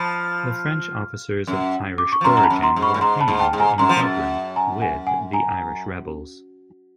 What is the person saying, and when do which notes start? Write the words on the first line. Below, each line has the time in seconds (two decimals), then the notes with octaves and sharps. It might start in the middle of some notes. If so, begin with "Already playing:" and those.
The French officers of Irish origin were hanged in Dublin with the Irish rebels.
Already playing: F3 A5 B5
1.47 F#2
1.98 D6
2.12 C#6
2.21 F3
2.24 F#2 A#5 C6
2.37 A#5
2.43 A5 B5
2.50 F#2
2.63 A#5 C6
2.76 G#2
2.83 B5 C#6
2.94 A2
3.01 G#2 A#5 C6
3.21 A5 B5
3.28 G#2
3.40 G5 A5
3.53 G#2
3.59 G#5 A#5
3.78 F#2 A#5 C6
3.89 F3
3.99 F#2
4.56 G#5 A#5
4.81 F#5 G#5
5.07 F#5 G#5
5.33 G#5 A#5